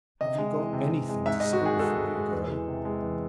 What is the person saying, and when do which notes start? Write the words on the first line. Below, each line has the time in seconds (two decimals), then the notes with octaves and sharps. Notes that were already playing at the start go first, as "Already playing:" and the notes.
"Have you got anything to say before you go?"
0.21 C3 D#5
0.38 G#3
0.56 E3
0.73 C3
0.91 C3
1.09 G#3
1.26 G#2 E5
1.40 G#3 D#5
1.53 F#4
1.62 D#3 G#4
1.79 G#2 A4
1.97 G#2
2.15 G#3
2.32 E2
2.51 E3
2.68 C3
2.85 G#3
3.03 E2